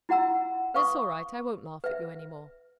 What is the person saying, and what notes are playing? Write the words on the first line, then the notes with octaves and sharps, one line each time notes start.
It's all right; I won't laugh at you any more.
E4 F#4 F#5 A#5 E6
B4 F5 C#6 D#6
B4 E5